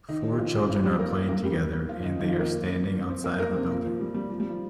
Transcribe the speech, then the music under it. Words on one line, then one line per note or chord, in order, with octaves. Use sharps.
Four children are playing together, and they are standing outside of a building.
D#3 D#4
G4
F3 F4
G3 G4
F3 F4
G3 G4
A#3 A#4
A#3 A#4
G3 G4
F3 F4
D#3 D#4
D#3 D#4
F3 F4
A#3 A#4
C4 C5
A#3 A#4
A#3 A#4
C3 C4
A#2 A#3
F3
G3
G3
F3
G3
F3